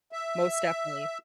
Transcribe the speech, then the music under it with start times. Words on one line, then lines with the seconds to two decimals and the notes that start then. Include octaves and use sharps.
Most definitely.
0.12 E5